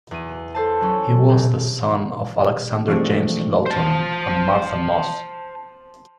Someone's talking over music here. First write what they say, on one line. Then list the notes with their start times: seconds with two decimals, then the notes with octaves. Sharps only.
He was the son of Alexander James Lawton and Martha Mosse.
0.11 E2 D#7
0.55 A4 C5 A5
0.81 F#3 C#4
1.29 F#1
2.88 E3 F3 G#3 A3 C4 D4
3.66 C5 A5